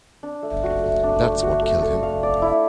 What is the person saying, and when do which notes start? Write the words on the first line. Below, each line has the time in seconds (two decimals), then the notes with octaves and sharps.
That's what killed him.
0.23 D4
0.43 A3
0.64 F#4
0.82 A3
1.03 D4
1.23 A3
1.43 F#4
1.62 A3
1.82 A4
2.03 F5
2.23 D5
2.42 E4